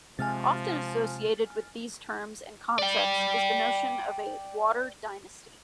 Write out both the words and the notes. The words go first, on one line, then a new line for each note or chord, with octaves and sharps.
Often associated with these terms and concepts is the notion of a "water dynasty".
C3 F3 G#3 G#5 F6 A6
D5 G5